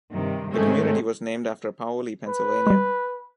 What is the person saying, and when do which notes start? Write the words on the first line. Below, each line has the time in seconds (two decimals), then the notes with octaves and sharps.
The community was named after Paoli, Pennsylvania.
0.13 G2 C3 D#3
0.53 G#2 D#3 G#3 A3 C4 C#4
2.28 B4
2.67 G3 G#3